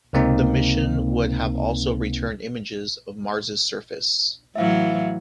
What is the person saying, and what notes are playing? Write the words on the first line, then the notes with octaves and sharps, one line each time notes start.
The mission would have also returned images of Mars' surface.
C#2 C3 A#3 C4 D#4
A2 E3 F#3 E5 F5